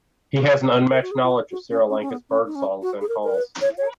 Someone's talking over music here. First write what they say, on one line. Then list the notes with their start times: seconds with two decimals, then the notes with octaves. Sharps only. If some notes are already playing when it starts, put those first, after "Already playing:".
He has an unmatched knowledge of Sri Lanka's bird songs and calls.
0.72 B4
0.92 A#4
1.02 F#4
1.11 G#4
1.23 F4
1.31 F#4
1.51 F#4
1.71 C#4
1.90 C#4
2.01 C#4
2.10 B3
2.30 C#4
2.46 D#4
2.55 C#4
2.82 F#4
3.01 G#4
3.08 A#4
3.23 A#4
3.34 B4
3.61 C#5
3.78 C#5